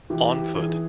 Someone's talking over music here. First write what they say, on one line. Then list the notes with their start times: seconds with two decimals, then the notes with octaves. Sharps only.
On foot.
0.10 E3 G4
0.33 G4
0.55 E3 G#4